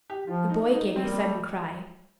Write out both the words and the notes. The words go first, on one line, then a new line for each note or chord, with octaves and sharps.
The boy gave a sudden cry.
G4
F3 F4
D#4
D#4
G3 C4
A#3
C4
A3